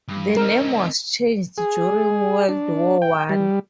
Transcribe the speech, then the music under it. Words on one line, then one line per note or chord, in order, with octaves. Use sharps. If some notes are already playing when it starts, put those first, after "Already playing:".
The name was changed during World War One.
G2
C4 D#4 A#4
G#4
D4
G5
G3